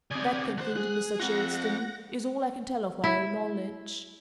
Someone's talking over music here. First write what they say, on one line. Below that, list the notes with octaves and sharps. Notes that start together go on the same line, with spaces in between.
That," concluded Mr. Chilstone, "is all I can tell of my own knowledge.
C#3 C4 D5 D#6 G#6
D2 C5 F#6
G#4
C4 F4 F#5 A#6
E4